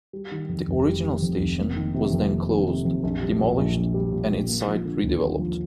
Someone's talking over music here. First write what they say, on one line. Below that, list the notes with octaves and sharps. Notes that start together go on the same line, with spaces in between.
The original station was then closed, demolished and its site redeveloped.
G3
D#3
F2
F1
G3
D#3
F2
F1
A#3
D#3
C3
F2
A#3
D#3
C3
F2
A#1
G3
A#2
A#1
A#1
G3
A#2
A#1
A#3
F3
D3
D#2
A#3
F3